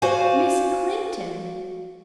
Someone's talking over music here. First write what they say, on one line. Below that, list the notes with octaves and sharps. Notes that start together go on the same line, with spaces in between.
Miss Clinton!
F#4 C5 D5 F5 G#5